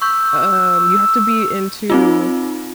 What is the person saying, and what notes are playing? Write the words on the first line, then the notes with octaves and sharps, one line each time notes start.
um, you have to be into
C#6 E6 G6
C4 D#4 F4